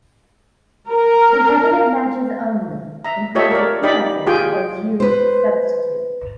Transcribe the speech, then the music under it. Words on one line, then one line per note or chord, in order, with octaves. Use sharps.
Competitive matches only, includes appearances as used substitute.
A#4
E5 A#5
F4 G4 A4 C#5 D#5 E5
A#4 D5
D#4 G4 D5 D#5 B5
F4 G4 G#4 G5 G#5
B4 C5